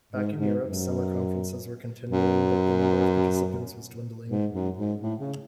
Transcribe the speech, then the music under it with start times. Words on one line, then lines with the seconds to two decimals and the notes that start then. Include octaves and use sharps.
Back in Europe, summer conferences were continuing but the number of participants was dwindling.
0.13 G#2
0.38 G#2
0.63 F#2
2.09 F#2
4.29 G#2
4.52 F#2
4.77 G#2
5.02 A2
5.20 C#3